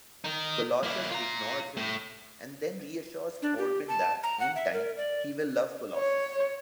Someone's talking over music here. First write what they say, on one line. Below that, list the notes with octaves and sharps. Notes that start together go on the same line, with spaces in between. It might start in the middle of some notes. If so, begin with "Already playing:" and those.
Colossus ignores him, and then reassures Forbin that, in time, he will love Colossus.
D#4 A#4
A#3 E4
F4 A#5
A2
D4
G4
A5
A#5
F#5
E5
A#4
D5
C#5